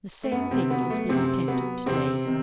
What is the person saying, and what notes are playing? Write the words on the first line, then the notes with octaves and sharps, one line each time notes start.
The same thing is being attempted to-day.
A3
F#2 B3
C3 C4
F#3 B3
A3
F#2 C3 C4
F#3 B3
E2 C3 C4
C3 D#3